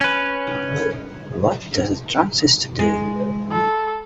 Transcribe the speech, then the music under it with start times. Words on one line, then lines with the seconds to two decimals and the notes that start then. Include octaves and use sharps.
What does a transistor do?
0.01 C#4 B4
2.79 G#3
3.51 A4